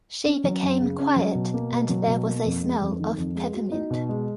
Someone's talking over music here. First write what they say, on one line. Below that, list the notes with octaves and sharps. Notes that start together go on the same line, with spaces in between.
She became quiet, and there was a smell of peppermint.
C#4
F#3
F#2
C#3
C#4
F#3
B2
A#3
B2
F#3
B2
A#3
F2
G#3
F2
D#3
F2
G#3
F#4
D#4
B2
G#3